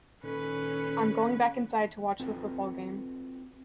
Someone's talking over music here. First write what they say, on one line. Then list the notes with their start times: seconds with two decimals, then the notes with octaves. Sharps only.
I'm going back inside to watch the football game.
0.23 A#2 D#3 C#4 A4 B4
2.20 C4 F4 F#4 A4 B4